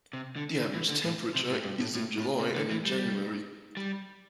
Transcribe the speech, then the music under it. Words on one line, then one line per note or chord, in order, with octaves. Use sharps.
The average temperature is in July and in January.
C3
D3
D3
E3
D3
A2
C3
A2
G2
A2
A2
A2
C3
D3
E3
G3
G3